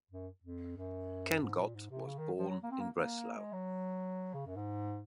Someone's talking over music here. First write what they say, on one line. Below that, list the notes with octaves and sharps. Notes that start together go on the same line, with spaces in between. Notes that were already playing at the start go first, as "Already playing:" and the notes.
Kenngott was born in Breslau.
F#2
F2
F#2
G#2
A#2
G#2
C3
C#3
D#3
F3
F#3
A#3
C4
A#3
A#3
G#3
F#3
C#3
F#2
G#2